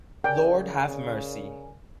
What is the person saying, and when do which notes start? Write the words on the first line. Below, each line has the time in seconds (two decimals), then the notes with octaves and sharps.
Lord Have Mercy!
0.24 C#3 A#4 D5 G5 G#5